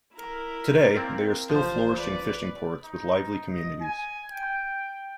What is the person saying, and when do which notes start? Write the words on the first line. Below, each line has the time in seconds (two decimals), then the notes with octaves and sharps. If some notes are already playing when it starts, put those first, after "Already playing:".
Today, they are still flourishing fishing ports with lively communities.
0.14 E4 A#4
0.96 A#3 C4 D5
1.50 A1 F3 C5
1.96 B4 D5
2.84 D#4
3.51 D#5
3.81 G#5
4.31 G5